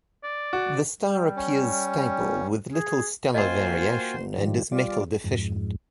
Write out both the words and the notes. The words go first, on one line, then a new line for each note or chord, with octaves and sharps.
The star appears stable, with little stellar variation, and is metal-deficient.
D5
F#4
G3
C#4
G#4
A#3 F4 F#4 C5 D#5 G5 G#5
G#2 D#3 F3 G3
G3 F4 D5
F2 G#2